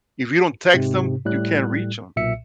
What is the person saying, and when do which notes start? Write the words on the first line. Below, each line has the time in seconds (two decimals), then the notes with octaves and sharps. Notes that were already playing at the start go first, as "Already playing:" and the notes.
If you don't text them, you can't reach 'em.
0.74 G#2 C3
1.25 A2 G3 F#6
2.16 B1 A#2 E5 C#7